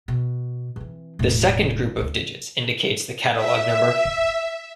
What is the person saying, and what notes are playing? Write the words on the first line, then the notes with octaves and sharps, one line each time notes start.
The second group of digits indicates the catalogue number.
B2
E3 C4
E1 A2
D2 C#4
E5